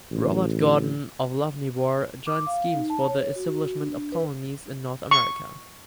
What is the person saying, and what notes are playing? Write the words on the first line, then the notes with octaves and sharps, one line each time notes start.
Robert Gordon of Lochinvar joined schemes for the establishment of colonies in North America.
A1
D6
F5
D#4
A5
C#5
F#4
D4
B4
C#6